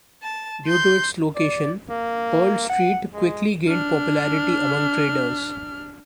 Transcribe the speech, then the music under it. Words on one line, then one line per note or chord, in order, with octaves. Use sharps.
Due to its location, Pearl Street quickly gained popularity among traders.
A5
C6 G6
D5
A#3
F#5
G#3
D4 F6